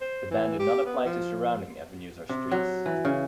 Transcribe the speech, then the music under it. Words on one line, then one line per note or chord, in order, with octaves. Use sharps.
The ban did not apply to surrounding avenues or streets.
C5
E3
G4
B3
F3
C3
F#3
E3
C#3